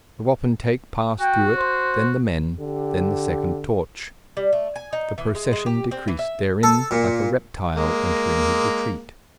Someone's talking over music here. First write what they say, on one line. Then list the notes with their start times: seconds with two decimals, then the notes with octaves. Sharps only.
The wapentake passed through it, then the men, then the second torch. The procession decreased therein, like a reptile entering his retreat.
1.20 F#4 G5
1.55 C5
2.59 D3 G4
4.37 G3
4.53 A3
4.76 G#5
4.93 D#4
5.18 E3
5.35 G#3
5.53 G#3
5.66 G4
5.91 C4
6.08 E3
6.19 E5
6.63 A4
6.91 A#2
7.76 G#3 A#3